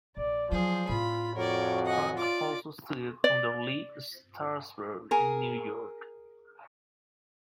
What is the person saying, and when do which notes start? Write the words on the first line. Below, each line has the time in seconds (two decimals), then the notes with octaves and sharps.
Frank also studied under Lee Strasberg in New York.
0.17 A#1 D5
0.52 F3 F#3 G#4 C5
0.89 A2 C4 F4 B5
1.36 F2 F#4 A#4 C#5 D5
1.86 D#5 F#5 G#5
2.18 F4 D5 D6
3.24 D5
5.11 G#4 A#4